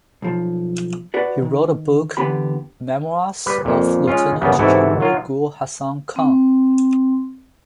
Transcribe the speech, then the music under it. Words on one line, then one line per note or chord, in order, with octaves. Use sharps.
He wrote a book "Memoirs of Lieutenant General Gul Hassan Khan".
B1 F3
F#4 B4 D5
D#3
E2 D3 B3 G4 B5
G3 B4
F2 A#2
G#3 C#4 F4
F#2 C#3 G3 B3
G#2 C3 E3 A3 E4 F#4
F#3 F4
C4 G5 C6